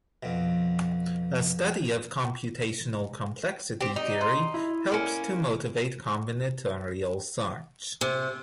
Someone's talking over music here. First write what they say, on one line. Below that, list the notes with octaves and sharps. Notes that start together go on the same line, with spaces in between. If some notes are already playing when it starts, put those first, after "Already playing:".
A study of computational complexity theory helps to motivate combinatorial search.
F2 B2
C4 G4
D#4
C6
E4
A#3 C#4
C3